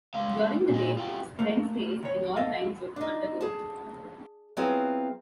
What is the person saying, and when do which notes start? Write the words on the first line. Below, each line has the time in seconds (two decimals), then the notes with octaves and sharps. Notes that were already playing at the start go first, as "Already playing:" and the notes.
During the day it then stays in all kinds of undergrowth.
0.14 G#3 F5
0.69 A#2 D#4
0.97 F4 G4
1.39 A3 A#3
2.03 D#2 C#5
2.36 A4 D#5 F5
2.96 D4 D#4
3.41 G#4 A5
4.57 F#3 B3 C4 E4 F4 G#4